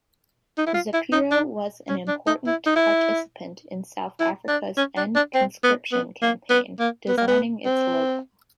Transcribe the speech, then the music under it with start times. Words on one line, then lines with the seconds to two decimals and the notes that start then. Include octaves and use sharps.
Zapiro was an important participant in South Africa's End Conscription Campaign, designing its logo.
0.58 D#4
0.67 E4
0.74 F4
0.94 E4
1.12 D#4
1.32 D4
1.89 C#4
2.08 D4
2.27 D#4
2.47 E4
2.67 D#4
2.76 E4
4.20 E4
4.48 D4
4.77 C#4
4.97 D4
5.16 D4
5.35 C4
5.63 B3
5.92 B3
6.22 A#3
6.50 B3
6.79 A#3
7.08 B3
7.18 A#3
7.28 B3
7.66 C4